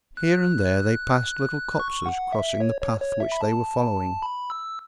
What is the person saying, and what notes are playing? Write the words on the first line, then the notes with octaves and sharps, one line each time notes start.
Here and there they passed little copses crossing the path which they were following.
F#6
C#6
F#5
E5
C#5
C#5
C#5
E5
B5
A5
B5
E6